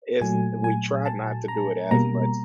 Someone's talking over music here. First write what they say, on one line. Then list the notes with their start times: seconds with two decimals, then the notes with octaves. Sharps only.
is we tried not to do it as much
0.21 A#2 F#3 A3 G#5
0.64 G#5
1.06 A5
1.48 A#5
1.91 B2 G3 A#3 A#5